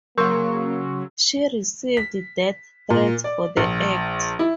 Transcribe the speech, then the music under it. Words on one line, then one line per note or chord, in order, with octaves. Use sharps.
She received death threats for the act.
C#3 F#3 A#3 A#4 C6 C#6 E6
B6
A#2
D5
A#1
E4